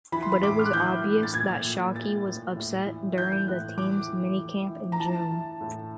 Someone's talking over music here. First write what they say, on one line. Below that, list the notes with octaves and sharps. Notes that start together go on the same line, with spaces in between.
But it was obvious that Shockey was upset during the team's minicamp in June.
E3 B5
C6
B5
A2 D6
F6
F#6
E3 G6
A2
A6
A#2 G#6
A#2
A#2 A6
A#2
A2
E3
E3 G6
G6
A2 F#6
E3 D6
E3
E3
E3
A#5
E3 A5
E3
A2